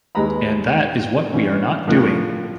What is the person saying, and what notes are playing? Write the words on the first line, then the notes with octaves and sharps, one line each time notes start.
And that is what we are not doing.
D#2 G#3 B4 A#5 B5
D3 E3 C#4
A2 D3 F3 F4 A#4 F#6